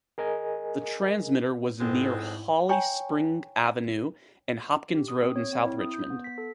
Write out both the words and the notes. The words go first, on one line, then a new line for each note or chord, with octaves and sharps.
The transmitter was near Holly Spring Avenue and Hopkins Road in South Richmond.
G#4 A#4 D#5 G#5
F2 G#2 G#3 B3 C4 E4
C#5 G5 G#5 A#5 C#6
G4
D#6
C4
C#5
C4
E4
D#6
G6
B3
B6
A4